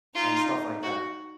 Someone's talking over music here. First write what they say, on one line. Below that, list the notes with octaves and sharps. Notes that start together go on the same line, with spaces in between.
and stuff like that.
D#4 F4
F#4